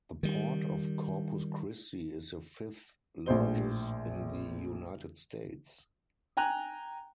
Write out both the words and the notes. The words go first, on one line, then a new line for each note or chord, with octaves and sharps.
The Port of Corpus Christi is the fifth-largest in the United States.
D#3 G3
A#1 A2 C5 G7
G5 G#5 A#5 F#6